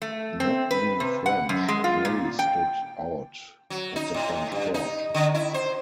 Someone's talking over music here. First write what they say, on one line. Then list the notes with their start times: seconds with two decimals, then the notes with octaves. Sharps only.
Not being French, Marie stood out at the French court.
0.02 A3
0.40 C4
0.71 B4
1.00 C3
1.26 F#5
1.49 F#2
1.68 G#3
1.84 F4
2.05 A#2
2.39 G5
3.70 F#3
3.96 D#4
4.14 A2
4.52 G2
4.74 D#4
5.14 D3
5.35 E4
5.54 C5